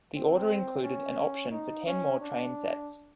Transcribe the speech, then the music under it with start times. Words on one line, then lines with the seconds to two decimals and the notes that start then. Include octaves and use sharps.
The order included an option for ten more trainsets.
0.15 C4
0.83 C#4
1.51 D#4
1.86 C#4
2.20 D4